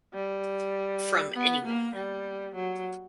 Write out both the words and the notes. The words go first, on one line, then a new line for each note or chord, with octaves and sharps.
From anyone.
G3
B3
A#3
G3
F#3